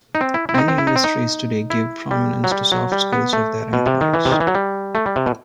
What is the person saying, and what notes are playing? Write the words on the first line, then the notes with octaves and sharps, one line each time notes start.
Many industries today give prominence to soft skills of their employees.
D#4
C4
E4
E4
C4
D#4
C4
E4
D#4
C4
D#4
E4
G3
F#3
G3
F#3
G3
B3
A3
B2
C3
D#3
E3
C3
D#3
E3
F#3
G3
A3
G3
C3
B2